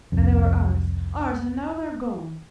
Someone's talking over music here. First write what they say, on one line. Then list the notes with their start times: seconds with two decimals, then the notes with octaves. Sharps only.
"And they were ours, ours! and now they are gone."
0.12 F1 C2 F2